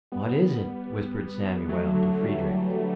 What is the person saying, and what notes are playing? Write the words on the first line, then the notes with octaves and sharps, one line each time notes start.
"What is it?" whispered Samuel to Friedrich.
G3 B3
F#3 A3
D3 F#3
E3 G3
E3 G3